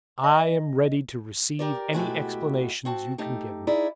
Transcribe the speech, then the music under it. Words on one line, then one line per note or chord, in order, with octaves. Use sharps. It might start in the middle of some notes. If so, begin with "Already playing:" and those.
"I am ready to receive any explanations you can give me."
D#5
G4 A#4 D5
B2 G#3 A3 E4 F#4 G4
C4 F#4 A5
A3 D#4 G4
D#4 E4 G#4 D5